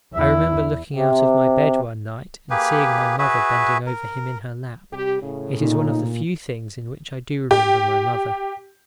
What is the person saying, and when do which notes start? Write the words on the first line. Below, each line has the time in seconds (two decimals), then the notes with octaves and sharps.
I remember looking out of my bed one night and seeing my mother bending over him in her lap;--it is one of the few things in which I do remember my mother.
0.14 E2 E4
0.95 C3
2.50 A#3 G4 G#4 B4
3.19 F#4 G#4 B4 E5
3.86 A#4
4.92 C3 G3 G4
5.22 A2 C#3
5.60 A#2 D#4
7.51 G4